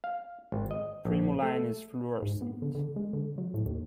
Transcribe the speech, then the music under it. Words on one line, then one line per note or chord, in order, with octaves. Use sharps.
Primuline is fluorescent.
F5
G#1
D#5
A#1
A3
G#2
B3
D3
D3
G#3
D3
F#3
A2
D#2